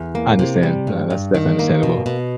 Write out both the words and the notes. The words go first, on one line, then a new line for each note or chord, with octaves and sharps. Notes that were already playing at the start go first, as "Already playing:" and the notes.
I understand. No, that's definitely understandable.
Already playing: E2
A#3
C3
G3
G2
G2
D#3
A#3
B2
B2